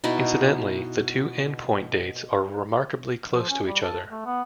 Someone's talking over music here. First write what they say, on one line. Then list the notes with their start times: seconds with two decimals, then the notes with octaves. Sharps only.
Incidentally, the two end point dates are remarkably close to each other.
0.04 B2 D#4 E4 D5
3.31 F3
3.49 C#4
3.67 G3
3.82 A4
4.10 A3
4.26 B3